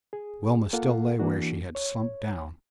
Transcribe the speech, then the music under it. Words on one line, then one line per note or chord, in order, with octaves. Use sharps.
Wilma still lay where she had slumped down.
G#4
A#3 F4 A4 F5 F#5
E3 A#3 D4 F#4
C#5